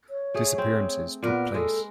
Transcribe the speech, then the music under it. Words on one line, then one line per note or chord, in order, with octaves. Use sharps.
Disappearances took place.
C#5
A3 G#4
C4
A#2 B3 A#4 B4
G#3 A4